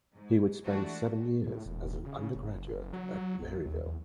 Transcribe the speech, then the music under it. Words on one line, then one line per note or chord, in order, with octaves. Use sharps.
He would spend seven years as an undergraduate at Maryville.
G#2
E3 G#3 A3 D4 F#4
A2
E1
C#3
F#1
F#3
A1
D#2
E2